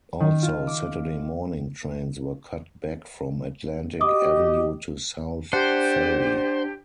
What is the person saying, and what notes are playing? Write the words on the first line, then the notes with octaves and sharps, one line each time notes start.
Also, Saturday morning trains were cut back from Atlantic Avenue to South Ferry.
D#3
F4
D6
F#4 G4 D#5 D6 D#6
D4 G4 C5 F#5